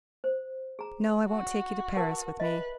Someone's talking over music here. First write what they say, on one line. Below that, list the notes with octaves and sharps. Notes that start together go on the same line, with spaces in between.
No, I won't take you to Paris with me.
C5
G#4 A#5
F#4
A#4 B4 A5
B4 D#5 E5